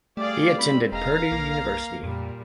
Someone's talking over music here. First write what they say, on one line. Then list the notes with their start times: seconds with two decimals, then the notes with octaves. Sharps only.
He attended Purdue University.
0.17 G3 A3 G#4 D5 F5 D6
0.58 C4 B5
0.92 E1 G#3 F5 A#5
1.32 B1 A#3
2.03 F2 A#2 G3